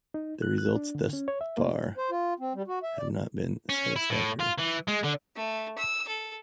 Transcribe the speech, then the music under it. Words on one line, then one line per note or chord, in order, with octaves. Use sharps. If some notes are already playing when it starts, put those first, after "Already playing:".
The results thus far have not been satisfactory.
D#4
F#6
F#6
D4
D3
C#4
C#5
E5
A#3
C5
F4
C4
G3
F#4
E5
D5
C#4
E4
A2
F4
E3
G#3
D3
A3
E6
A4